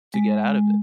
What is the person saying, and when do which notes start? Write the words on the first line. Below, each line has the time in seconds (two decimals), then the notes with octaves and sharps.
To get out of it.
0.14 G#3